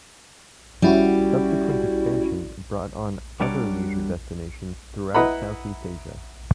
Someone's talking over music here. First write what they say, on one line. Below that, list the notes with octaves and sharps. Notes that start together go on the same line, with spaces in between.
Subsequent expansion brought on other leisure destinations throughout Southeast Asia.
G3 C#4 E4 F#4
G3 D4 F#4 A#4 C#5 D5
E4 B4 D#5 F#5 A#5 B5